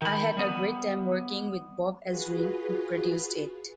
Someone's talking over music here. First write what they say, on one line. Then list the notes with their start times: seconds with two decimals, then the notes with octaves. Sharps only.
I had a great time working with Bob Ezrin, who produced it.
0.02 D#3 B5
0.37 G3 B3
2.05 F4 F#4 G#4 B4